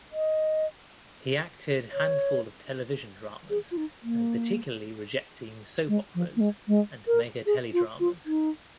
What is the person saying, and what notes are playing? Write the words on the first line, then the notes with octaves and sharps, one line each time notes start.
He acted handful of television dramas and particularly rejecting soap operas and mega teledramas.
D#5
C#5
G#4
F4
D#4
A#3
G#3
F3
A#3
G#3
G#3
A#4
G#4
F4
F4
D#4